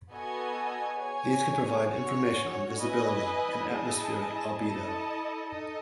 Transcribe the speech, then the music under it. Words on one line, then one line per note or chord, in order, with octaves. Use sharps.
These can provide information on visibility and atmospheric albedo.
B3 F#4 A4 D#5 G#5
G#4 C#5 G#5
C#4 F#4 C#5
E4 B4 D#5 G#5
E4 G#4 D#5 A5
E4 A4 D#5 A5
D#4 A4 D#5